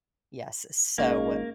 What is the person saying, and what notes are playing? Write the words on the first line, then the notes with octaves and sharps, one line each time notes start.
Yes, so,
G#1 A#3 C#4 G#4 D#5